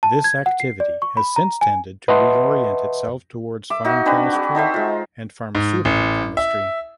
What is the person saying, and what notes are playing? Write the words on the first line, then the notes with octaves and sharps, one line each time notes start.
This activity has since tended to reorient itself towards fine chemistry and pharmaceutical chemistry.
A5
G#6
F#5
C7
D5
C#6
B5
A#5
G#5
B4 D#5 E5 F#5 A5 C6
E5 D6
D#4 F#4 F5
C4 D4 B4
F#4 G#4
D#4 A4 C5 E5
G#3 F4
G#2
A1
E5